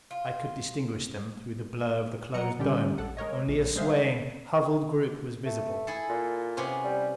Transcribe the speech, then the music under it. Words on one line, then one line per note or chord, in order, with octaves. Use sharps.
I could distinguish them through the blur of the closed dome--only a swaying, huddled group was visible.
F4
F#3 F#5 A#5 C#7
A#2 D3 G3 C#4 G4
A#1 A4 F#5
G#3 A#4 C#5 D#5
A#1
G3 G#3 C5 E5 F5
A3
E4 G#4 A4
A#2
C3 B3 C#4
G3